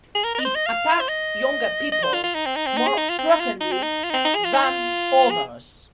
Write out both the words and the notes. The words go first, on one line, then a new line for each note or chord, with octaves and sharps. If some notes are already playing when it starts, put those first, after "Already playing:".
It attacks younger people more frequently than others.
G#4
A#4
A#4
D#5
C5
D#5
F5
C5
D#5
D#5
C5
F4
F4
D#4
C4
D#4
C4
D#4
G#4
D#4
F4
C4
D#4
F4
D#4
C4
D#4
F4
D#4
C4
D#4
G#4
F4
D#4
F4
G#4